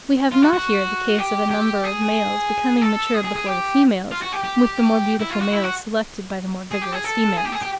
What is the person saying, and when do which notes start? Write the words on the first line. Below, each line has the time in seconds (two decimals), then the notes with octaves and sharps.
We have not here the case of a number of males becoming mature before the females, with the more beautiful males selected by the more vigorous females.
0.32 F4
0.42 F#4
0.53 F#4
1.18 G4
1.50 G4
1.84 G#4
2.81 A4
3.14 G#4
3.24 G#4
3.36 G#4
3.46 G4
4.12 F4
4.22 F#4
4.33 G4
4.44 G4
5.21 E4
5.31 F4
5.42 F#4
5.53 E4
5.64 F#4
6.72 G#4
6.82 G4
6.93 G#4
7.04 A4
7.37 G#4
7.45 G4
7.52 G#4
7.62 G4